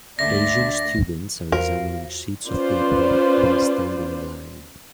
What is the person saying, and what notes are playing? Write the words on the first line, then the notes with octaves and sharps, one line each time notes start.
Asian students are examining sheets of paper while standing in line.
D2 D3 D5 E5 A#6
E2 F4 F#4 A#4 C5 F5
C#4 F4 B4 C5 D5